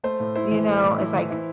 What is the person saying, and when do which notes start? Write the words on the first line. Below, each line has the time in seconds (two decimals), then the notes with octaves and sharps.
you know, it's like
0.04 A3 C5
0.20 A2
0.35 E4 C5
0.51 E3
0.67 A3
0.83 A2
0.98 E4
1.15 E3
1.30 E4